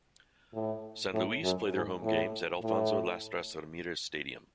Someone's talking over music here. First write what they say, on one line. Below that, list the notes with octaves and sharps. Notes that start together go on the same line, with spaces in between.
San Luis play their home games at Alfonso Lastras Ramirez Stadium.
A2
A2
F#2
G#2
A2
A2